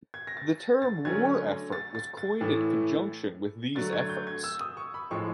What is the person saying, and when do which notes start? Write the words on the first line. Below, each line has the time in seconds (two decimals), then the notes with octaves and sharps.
The term "war effort" was coined in conjunction with these efforts.
0.14 G#6
0.27 A#6
0.37 A6
0.82 A6
1.05 D3 F#3 A3 C#4 G#6
1.72 A6
1.95 A6
2.17 A6
2.40 A2 E3 A3
3.75 D3 F#3 A3 A6
3.93 G#6
4.10 G6
4.27 G#6
4.44 E6
4.61 D#6
4.77 C#6
4.94 B5
5.11 A2 F3 G#3 C#6